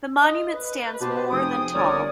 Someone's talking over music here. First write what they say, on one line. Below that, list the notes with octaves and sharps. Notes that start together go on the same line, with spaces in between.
The monument stands more than tall.
D#5
B4
B2 G4 C5 A5
F1 C4 G#4 G5 D#6
G1 A#4 C#5 D5